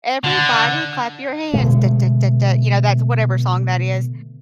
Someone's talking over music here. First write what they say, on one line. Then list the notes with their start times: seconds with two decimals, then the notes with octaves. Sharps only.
"Everybody clap your hands, da da da da," you know, that's whatever song that is,
0.24 D3
1.53 B2 D3 G#3 A3